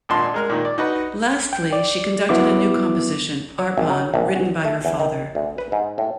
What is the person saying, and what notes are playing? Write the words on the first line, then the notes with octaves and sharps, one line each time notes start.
Lastly, she conducted a new composition, "Arpan", written by her father.
G#1 A#2 D4 A5 C6
G#3 A#4 F6
A#2 D#3 A#3
D5
D#4 F#4 B4
G5
D5
F#3 B3 E4 D6
C#5
G#1
F#3
A#1
F#4
A3
E2
D#3
D2
B4
G#2
A2